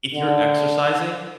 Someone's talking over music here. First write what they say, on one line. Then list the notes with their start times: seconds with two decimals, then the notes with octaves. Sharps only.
if you're exercising,
0.13 D3